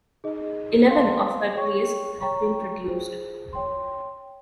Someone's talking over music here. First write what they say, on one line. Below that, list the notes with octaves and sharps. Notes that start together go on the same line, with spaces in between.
Eleven of her plays have been produced.
D#4 G#4 D#5
C5 F5 C6
G#4 C#5 G5 C#6
C#5 G5 A#5 C#6
F4 G#4 C5
C#5 G5 C6